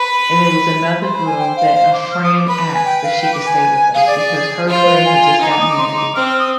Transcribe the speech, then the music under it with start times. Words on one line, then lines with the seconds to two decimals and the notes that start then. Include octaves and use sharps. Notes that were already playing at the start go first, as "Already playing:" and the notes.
and there was another girl that a friend asked if she could stay with us, because her friend had just got married,
Already playing: B4 B5
1.01 C5 C6
1.14 B5
1.26 G#5
1.38 G5
1.56 F5
1.75 F5
1.93 D6
2.11 F6
2.24 D#6
2.36 D6
2.48 B4 B5
2.60 B5
2.73 G#5
2.85 G5
3.03 F5
3.22 G5
3.34 D6
3.46 G#5
3.94 G#4 F5
4.07 D5
4.19 D5
4.68 F4 C5
4.86 B4
5.05 G#5
5.41 D#4 G#5
5.50 D6
5.60 D#6
5.69 D6
5.78 C6
5.96 D6
6.15 C4 F6
6.27 F6
6.39 D#6